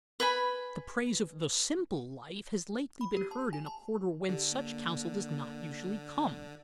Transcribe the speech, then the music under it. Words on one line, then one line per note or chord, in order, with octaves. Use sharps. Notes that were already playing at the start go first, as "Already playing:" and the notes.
The praise of "the simple life" has lately been heard in a quarter whence such counsel does not usually come.
B4 G#5 B5
B5
G4
A5
G#5
A5
D3 G4
A#3